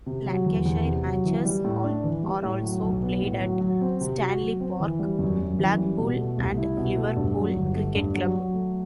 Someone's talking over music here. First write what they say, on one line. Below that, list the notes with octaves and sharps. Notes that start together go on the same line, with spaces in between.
Lancashire matches are also played at Stanley Park, Blackpool and Liverpool Cricket Club.
C3
F#3
E2
E2
C3
F#3
E3
G3
A2
D4
E3
G3
A2
F#3
B1
B3
A2
F#3
F#3
C4
C3
F#4
F#3
C4
E3
G3
F#2
F#2
E3
G3
B2
A3
C2
E4
B2
A3
G2
F#3
G1
A3
G2
F#3
F#3
A3